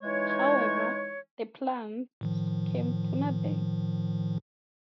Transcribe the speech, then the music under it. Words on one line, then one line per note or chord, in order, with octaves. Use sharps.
However, the plans came to nothing.
E3 G#3 D#4 C#5
A2 D#3 F3